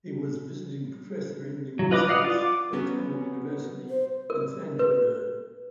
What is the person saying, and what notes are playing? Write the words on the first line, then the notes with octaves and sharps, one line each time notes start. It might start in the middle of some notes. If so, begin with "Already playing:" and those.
He was visiting professor in linguistics at Tamil University in Thanjavur.
F#3
F4 B4 D#5 B5 D6
D5 F5 F#5 D#6
F4
D6
F#3 B3 C#4
C5
A#4
B4